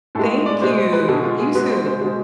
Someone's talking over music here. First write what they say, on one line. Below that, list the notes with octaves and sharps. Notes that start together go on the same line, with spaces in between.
Thank you! You too.
A2 G#3 A4
D5
B2 G#3 C5
C5
B4
B2 G#3 A4
F4
G#4
B2 G#3 B4
C5
C5
B2 G#3 C5